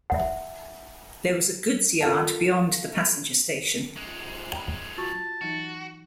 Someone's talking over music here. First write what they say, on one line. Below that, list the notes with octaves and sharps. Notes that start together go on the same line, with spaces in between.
There was a goods yard beyond the passenger station.
E5 F#5
F4 A4 A#4 F5 A5
F#2 G#3
G5 A#5 B5
F4 F#4 A5 C#6
E3 F#3 D#4 F#4